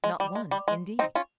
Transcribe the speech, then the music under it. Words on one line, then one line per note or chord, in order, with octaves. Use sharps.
"Not one, indeed."
G#3
G3
G#3
G3
G#3
C4 D#4
C#4 F4